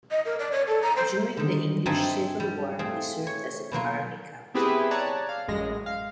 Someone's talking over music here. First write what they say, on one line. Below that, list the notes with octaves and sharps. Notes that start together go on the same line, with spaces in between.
During the English Civil War he served as an army captain.
D#5
A#4
D5
C#5
A4
A#5
C5
D3 D#3
G2 C4 D#4 E5 G#5 A5
G3
A3 C4 G#4 F5
C#5
B2 F#3 A#3 F4
B3 C4 E4 G4 G#4 B4
C#5 D5 A5 A#5 F#6 G#6
F5
A1 F#2 G#3 A#6
F5